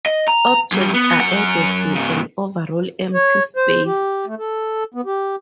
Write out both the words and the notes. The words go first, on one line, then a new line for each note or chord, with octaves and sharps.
Objects are added to an overall empty space.
D#5
A#5
F#2 G3
B3
F#2 F#5
G#2 C#3
C#5
C5
G4
A3
A4
B3
G4